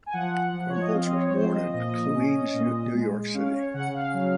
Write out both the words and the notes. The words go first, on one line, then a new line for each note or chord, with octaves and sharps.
Krumholtz was born in Queens, New York City.
G#5
F3 F#5
F3
C#5
D#5
C4 F5
D#5
C#5
C#5
F3 C5
D#5
A#2 D#5
C#4
A#2
G#3
C#4 F5
C#5
C#3 F#5
F5
F#3